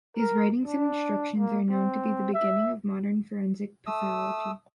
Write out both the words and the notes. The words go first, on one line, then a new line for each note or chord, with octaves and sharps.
His writings and instructions are known to be the beginning of modern forensic pathology.
A#4
D4
A#3
C4
E5
A3 D#6 E6